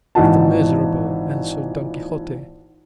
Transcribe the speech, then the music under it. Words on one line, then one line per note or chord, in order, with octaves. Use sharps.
"Of the miserable," answered Don Quixote.
G#1 A#2 E3 D#4 F#4 A5